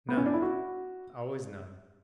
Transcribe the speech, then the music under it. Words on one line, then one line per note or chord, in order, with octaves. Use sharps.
None--always "none."
B3
C#4
D4
E4
F#4